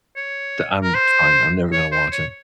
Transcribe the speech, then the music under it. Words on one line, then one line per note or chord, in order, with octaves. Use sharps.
D I'm fine, I'm never gonna watch it.
C#5
A#4
C5
C#5
C5
C#5